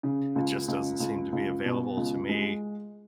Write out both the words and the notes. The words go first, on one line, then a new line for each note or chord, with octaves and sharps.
it just doesn't seem to be available to me
C#3
C#2
C#2
C#2
C#2
B2
C#2
G#3